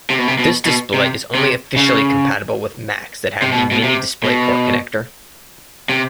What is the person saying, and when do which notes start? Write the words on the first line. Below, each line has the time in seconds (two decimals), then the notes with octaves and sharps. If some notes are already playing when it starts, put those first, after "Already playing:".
This display is only officially compatible with Macs that have the Mini DisplayPort connector.
0.10 C3
0.19 B2
0.28 C3
0.39 B2
0.66 B2
0.94 C3
1.35 C3
1.76 C#3
3.42 C3
3.52 B2
3.72 B2
3.83 C3
4.24 B2
5.89 C3